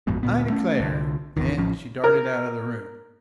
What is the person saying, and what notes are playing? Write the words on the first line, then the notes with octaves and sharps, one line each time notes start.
"I declare!" and she darted out of the room.
A1 F2 G#2 B2
D2 A#2 B3
A3 C#4
C2 D3
G#1 E2 D#3
A1 F3 C#4
A#4